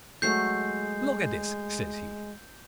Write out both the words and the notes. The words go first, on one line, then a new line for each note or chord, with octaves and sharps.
Look at this, says he.
F#3 G#3 A3 C#6 G6 C7